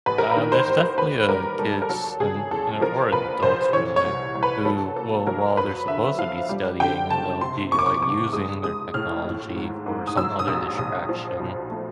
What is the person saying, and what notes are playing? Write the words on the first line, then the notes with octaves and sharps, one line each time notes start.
Uh, there's definitely, uh, kids and, uh, or adults, really, who will, while they're supposed to be studying and they'll be, like, using their technology for some other distraction.
A1 B4
A#4
B4
D#3
C5
A1
D#2 B4
G3 A#4
G3 A4
A#4
F#3 A4
C#3 G#4
E2 A4
F3 A#4
A#1 B4
A#1 C5
E3 C#5
C#5
C2
C2
B4
F#3 A4
A#3 A4
F#3 A#4
F2 B4
D3 E5
F3 F5
G3
D3 G5
F#1 A5
C3 C6
E2 C#6
D6
C#6
F#1 D6
G#3 D#6
G#3 D#6
A2 F6
G#1
G#2
G#2
D#6
F#3 E6
D#6
A#1 E6
A#1 D#6
F3
B1
A3